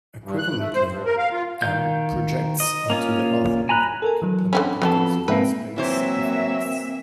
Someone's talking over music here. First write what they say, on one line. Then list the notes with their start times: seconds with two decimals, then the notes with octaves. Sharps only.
Equivalently, "M" projects onto the orthogonal complement of the column space of "X".
0.24 G2
0.38 F#6
0.59 A3
0.74 C5
0.87 G2
1.06 A#4
1.18 F5
1.32 F4
1.62 D#3 F5 G6
2.60 D#5
2.90 A#3 C#4 F4
3.69 G#5 A#5 B5 F#6
4.02 A4 A#4 G#5
4.22 E3 F#3
4.53 D3 C4 C#4 B5
4.82 F2 F#3 G3 B3 A4
5.28 G#2 A#3 C4 B4 E5 G5
5.76 C3 E3 F#3 A#3 C4 C5 E5